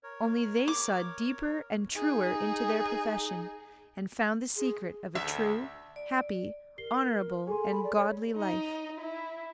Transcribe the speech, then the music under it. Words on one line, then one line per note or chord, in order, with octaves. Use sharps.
Only they saw deeper and truer into their profession, and found the secret of a true, happy, honourable and godly life.
A#4 C#5
D6
D#4 G#4
G#4
D2 E5
D5
G4 A#4 C7 G7
G#4 A4 G#5 C6
B5
D5
C#5
D#4
E4